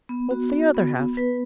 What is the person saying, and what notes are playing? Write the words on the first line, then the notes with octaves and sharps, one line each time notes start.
What's the other half?
B3
F#4
F#4
B3
B3
B4